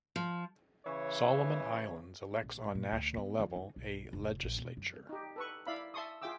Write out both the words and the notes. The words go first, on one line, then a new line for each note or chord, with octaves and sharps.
Solomon Islands elects on national level a legislature.
F3
C#3 E3 C#5
A#1
A#2
D2
B3
F2
D#4
B1
F1
A#1
B2
F#2
D#4 G4
A4 B4 C#6
E4 D5 E5 F5 B5
E5 A5 C6 C#6 D#6
F4 G#4 E5 G5 D6 E6